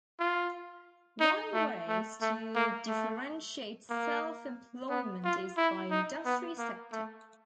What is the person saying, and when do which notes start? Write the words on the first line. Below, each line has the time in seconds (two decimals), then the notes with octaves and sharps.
One ways to differentiate self-employment is by industry-sector.
0.20 F4
1.20 D#4
1.53 A3
1.88 A3
2.21 A3
2.55 A#3
2.88 A3
3.90 A#3
4.90 B3
5.24 F4
5.57 E4
5.91 D#4
6.25 B3
6.58 A#3
6.92 A3